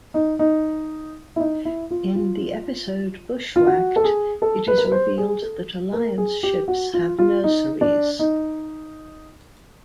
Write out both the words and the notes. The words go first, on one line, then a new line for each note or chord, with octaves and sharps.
In the episode "Bushwhacked", it is revealed that Alliance ships have nurseries.
D#4
D#4
E4
D#4
E4
F4
F4
F4
F#4
A4
G#4
A4
B4
A#4
B4
C5
G#4
A4
A#4
G#4
G4
F#4
F4
F4
D#4
D4
D#4